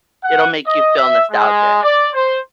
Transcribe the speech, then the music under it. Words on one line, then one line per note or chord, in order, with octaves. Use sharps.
It'll make you feel nostalgic.
F#5
D#5
E5
G#3
D5
C5